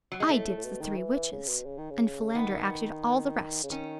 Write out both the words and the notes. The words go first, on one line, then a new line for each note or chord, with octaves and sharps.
I did the THREE WITCHES and Philander acted ALL THE REST.
F#3
G#3
A2 A3
A2
A2
B2
D#3
E3
E3
C#3
B2
C#3
D#3
C#3
D#3 B3
C#3
D#3 C#4